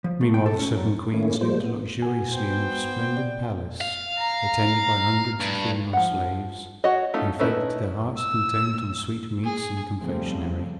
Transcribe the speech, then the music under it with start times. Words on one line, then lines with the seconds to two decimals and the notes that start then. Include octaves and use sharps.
Meanwhile the seven Queens lived luxuriously in a splendid palace, attended by hundreds of female slaves, and fed to their hearts' content on sweetmeats and confectionery.
0.04 F3
0.21 A3
0.34 G5
0.46 A4
0.59 C#4
0.77 F#2
1.14 D#3 A3 A#3 C#4 E4
1.41 F3 G3 G#3 A#3 C5
1.63 B3
2.02 F#4 G#5
2.33 B3 C5 G5
3.17 D5
3.81 F5
4.18 A#5
5.40 G2
5.93 F3 F#5
6.84 F#4 C#5 D#5
7.14 A3 C#4 D#4 F4
7.39 A3 C#4 D#4 E4 B4
8.17 E6
9.44 G#4
9.98 C#3 F3 G3 A3 C4